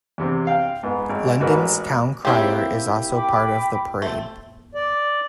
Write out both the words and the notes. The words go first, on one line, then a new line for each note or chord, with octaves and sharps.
London's town crier is also part of the parade.
E2 C3 C4
F5 G5
G#2 B3
G#1
A1 G#2 F#4 A#4 B4
A#3 C4 E4 G4 C#5
G5 B5 D6
A3 C4
D5